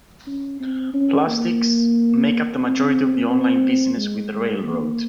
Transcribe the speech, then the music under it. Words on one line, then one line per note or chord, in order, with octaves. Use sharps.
Plastics make up the majority of the online business with the railroad.
C#4
C4
C#4
A#3
C4
C4
G#3
G#3
A#3